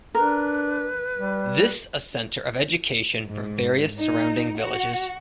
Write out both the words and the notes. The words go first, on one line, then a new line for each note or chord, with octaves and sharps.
This a center of education for various surrounding villages.
D4 A#4 B4
G3
G#2
D#4
F#4